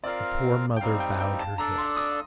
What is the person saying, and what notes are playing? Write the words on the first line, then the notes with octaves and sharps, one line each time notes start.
The poor mother bowed her head.
C4 F4 A#4 D5 F5
G5
G3 C4 D#4 F5
G5
G5
A5
D4 A4 D5 A#5
C6
D#6